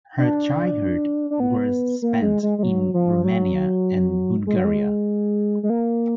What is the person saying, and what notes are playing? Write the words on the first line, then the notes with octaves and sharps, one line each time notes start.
Her childhood was spent in Romania and Bulgaria.
D4
D4
B3
A#3
G#3
G#3
G#3
F#3
F3
F#3
G#3
F#3
G#3
G#3
A#3